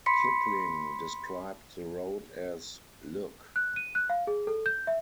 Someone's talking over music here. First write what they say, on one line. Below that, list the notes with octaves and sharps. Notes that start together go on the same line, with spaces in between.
Kipling described the road as::Look!
B5 C6 B6 C#7
F#6
D#7
F#6
F5
G#4
A4
G6
E5